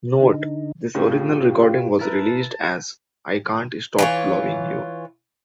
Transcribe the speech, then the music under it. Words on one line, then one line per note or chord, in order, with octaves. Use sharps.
"Note": This original recording was released as "I Can't Stop Lovin' You".
D3 D#4
A2 C#3 F4 G4
E4 A#4 B4 A5
E3 F4 C#5